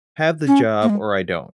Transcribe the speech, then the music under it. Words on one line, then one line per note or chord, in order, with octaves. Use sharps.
have the job or I don't.
C#4
A#3
G#3